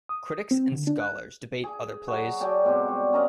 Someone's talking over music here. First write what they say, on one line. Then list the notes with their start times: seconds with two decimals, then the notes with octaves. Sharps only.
Critics and scholars debate other plays.
0.09 D#6
0.51 C4
0.72 D3
0.87 D4
1.00 F#6
1.64 G#4
2.08 F#3 F#4
2.40 F#3 D5 G5 A5
2.64 G#2 B2 C4 G4
2.88 G3 F#4
3.13 C#4 A#4 D#5